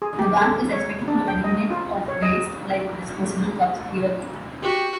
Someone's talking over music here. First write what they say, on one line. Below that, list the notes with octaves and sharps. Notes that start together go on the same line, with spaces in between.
The ban is expected to eliminate of waste like disposable cups yearly.
G#4
G4
A4
C#5
D4
G5
D#5
F4
C#5
D#5
F#4 G4